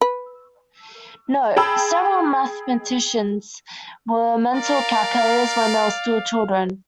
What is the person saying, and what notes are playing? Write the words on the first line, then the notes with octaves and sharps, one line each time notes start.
Note: Several mathematicians were mental calculators when they were still children.
B4
G#4 G5 A5 B5 E6
A#4 D5 F5